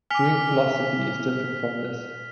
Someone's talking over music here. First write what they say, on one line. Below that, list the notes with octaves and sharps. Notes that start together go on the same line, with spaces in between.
Doing philosophy is different from this.
G#5 D6 F6 B6 F7